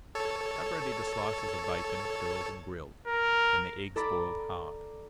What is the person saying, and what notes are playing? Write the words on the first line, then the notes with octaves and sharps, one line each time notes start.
Have ready the slices of bacon curled and grilled, and the eggs boiled hard.
A4 C#5
A#4
A4 D5 A#5 B5 D6 A6